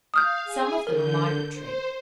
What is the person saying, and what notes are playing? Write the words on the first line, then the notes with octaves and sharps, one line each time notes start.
Some of them are migratory.
F5 D#6 F6 G6
G#4 G#5
D3 A#4 G6
C5